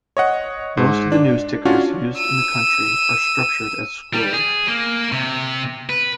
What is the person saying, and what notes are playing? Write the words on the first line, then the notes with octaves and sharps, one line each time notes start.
Most of the news tickers used in the country are structured as scrolls.
C#5 D#5 F#5
G#2
D4
C#4 D4 F4 F#4 C#5
E6 D#7
G3
G#4
A#3
C3
B4